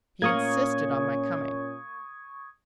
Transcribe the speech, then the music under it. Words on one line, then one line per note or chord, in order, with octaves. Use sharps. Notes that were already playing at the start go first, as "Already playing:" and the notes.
He insisted on my coming.
A#2 A#3 C#4 A#4 C#6 D#6 G#6